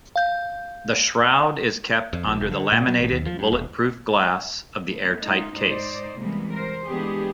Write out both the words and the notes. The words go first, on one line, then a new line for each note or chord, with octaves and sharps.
The shroud is kept under the laminated bulletproof glass of the airtight case.
F5 G6
F2
A#1
F1
D3
A#2
F#3
A1
D#2
F3
G2
E1
A3 B3
G#3 D#4 F4
G#2 D#4 C5 D5
C3 E3 G3 G#3 A#3 B3
A#4 C5
E3 G#3 B3 D4 G4 G#4